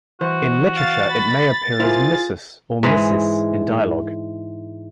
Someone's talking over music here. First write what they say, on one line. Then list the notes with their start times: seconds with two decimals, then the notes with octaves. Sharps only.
In literature it may appear as "missus" or "missis" in dialogue.
0.21 E3 F#4 C5
0.77 F5 A6
1.10 B5
1.80 E4 F4 G#4 A#4 C5
2.83 G#2 E3 G#3